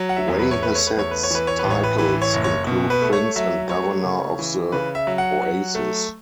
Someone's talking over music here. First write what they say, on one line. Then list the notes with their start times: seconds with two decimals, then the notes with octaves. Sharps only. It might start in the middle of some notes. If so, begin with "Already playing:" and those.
Wayheset's titles include Prince and Governor of the Oasis.
Already playing: F#3
0.09 F#5
0.17 E5
0.28 E2
0.39 B4
0.51 C#5
0.62 A3 B4
0.75 C#5
0.87 B4
0.97 E2 C#5
1.11 B4
1.23 C#5
1.30 E3 B4
1.47 C#5
1.59 B4
1.64 A1
1.71 C#5
1.83 B4
1.98 E3 B4
2.22 C#5
2.34 F#1
2.44 C#5
2.67 B2
2.90 B4
3.02 A3
3.13 C#5
3.36 F#3 E5
3.70 A3 C#5
4.05 C#3
4.39 E3
4.72 C#3 B4
4.95 E5
5.07 F#3
5.18 F#5
5.42 F#3
5.75 A3